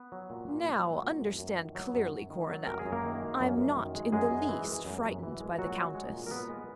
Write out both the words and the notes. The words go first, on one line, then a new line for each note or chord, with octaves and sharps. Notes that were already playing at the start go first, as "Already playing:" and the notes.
"Now, understand clearly, Coronel, I'm not in the least frightened by the Countess."
Already playing: B3 B4
F#3
A#2
A#2
F#3
F#3
A#2
F#2
F#2
D#3
F#3
F#2
F#2
D#3
F#3
F#2 A#4
G#4
F#2
A#3 A#4
D#3
G#3
F#2
F#2
D#3
G#3
F#2 G#3 G#4
F#2
E3
G#3
F#2
F#2
E3
G#3
A#2 F#3 F#4
G#3
G#3
A#2
A#4
A#2 B3 B4
G#3